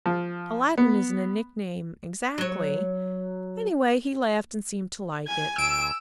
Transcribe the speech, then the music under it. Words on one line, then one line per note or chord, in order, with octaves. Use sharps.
"Aladdin isn't a nickname exactly; anyway, he laughed and seemed to like it."
F3
B3
F#3 C#5
G#5 G#6
D2 E6 D7